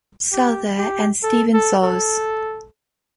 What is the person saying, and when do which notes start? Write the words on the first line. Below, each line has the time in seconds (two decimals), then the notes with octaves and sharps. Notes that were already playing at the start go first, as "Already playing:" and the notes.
Souther and Steven Soles.
0.33 G4
0.78 G4
1.23 A4
1.54 A4
1.83 A4